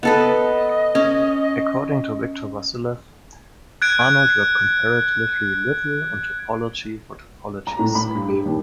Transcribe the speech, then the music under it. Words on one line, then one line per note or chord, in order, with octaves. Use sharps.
According to Victor Vassiliev, Arnold worked comparatively little on topology for topology's sake.
B3 A4 B4 D#5
C#4
F#6 G#6 D7
A#5
A2
B5
G2
G4
D#2